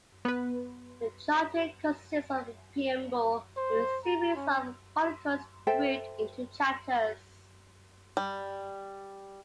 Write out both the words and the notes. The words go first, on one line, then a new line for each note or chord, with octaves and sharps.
The Charter consists of a "preamble" and a series of articles grouped into chapters.
B3 B4
C5
A#5
C#4
A4 C5 E5 G5
G3